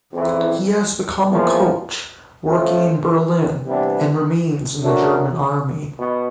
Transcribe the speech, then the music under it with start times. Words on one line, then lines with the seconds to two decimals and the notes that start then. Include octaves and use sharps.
He has become a coach, working in Berlin, and remains in the German army.
0.12 F2 C#3 E3
1.29 E2 C#3 F3 A#3
2.47 F3 A3 C#4 F4
3.65 C3 E3 G3 B3 D4
4.82 F#3 A3 D4 F#4 A#4
5.99 B2